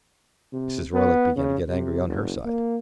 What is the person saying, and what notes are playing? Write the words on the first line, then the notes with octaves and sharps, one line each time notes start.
Mrs. Roylake began to get angry, on her side.
C3
B3
C#3
C3
F#1
A#3